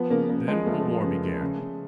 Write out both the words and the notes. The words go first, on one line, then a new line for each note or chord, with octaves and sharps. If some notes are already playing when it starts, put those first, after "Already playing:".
Then a war began.
Already playing: F3 B3
C#3 A#3
C#3 A#3
F3 G#3
F3 A3
F3
C#3
C#3
C#3
C#3